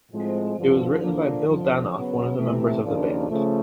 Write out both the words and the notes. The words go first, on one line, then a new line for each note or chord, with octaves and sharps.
It was written by Bill Danoff, one of the members of the band.
A2 F3 G#3 C4
G2 D3 F3
D3 F3 A#3 D4
F2 D3 F3
C#3 F#3 B3
C3 E3 A3
D#2 C#3 F3 A#3 D4
C#3 F3 A3